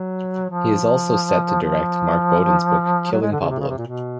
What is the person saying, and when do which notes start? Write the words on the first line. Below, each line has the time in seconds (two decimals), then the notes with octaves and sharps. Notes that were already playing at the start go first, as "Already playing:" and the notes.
He is also set to direct Mark Bowden's book "Killing Pablo".
Already playing: F#3
0.50 F3
1.63 F3
3.12 F#3
3.22 G#3
3.32 D3
3.40 C#3
3.50 C3
3.60 C#3
3.69 C3
3.78 A#2
3.87 B2